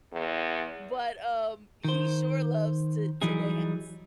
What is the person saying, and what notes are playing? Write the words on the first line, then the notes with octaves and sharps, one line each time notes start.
but, um, he sure loves to to dance.
E2
D#3 C5
E3 F#3 G3 D#4 G#4